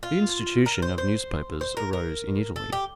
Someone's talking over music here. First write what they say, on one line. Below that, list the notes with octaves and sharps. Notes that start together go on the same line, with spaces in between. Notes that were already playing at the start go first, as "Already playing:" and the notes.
The institution of newspapers arose in Italy.
F4
A#4
C5
C5
C5
A#4
A#4
A4
G4